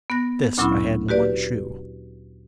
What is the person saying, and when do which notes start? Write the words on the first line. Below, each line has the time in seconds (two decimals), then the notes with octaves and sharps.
This I had in one shoe.
0.10 B3 F#6 A#6
0.58 D2 A#2 F#3 C#4 E4 B5
1.09 F#4 G4 B4 D5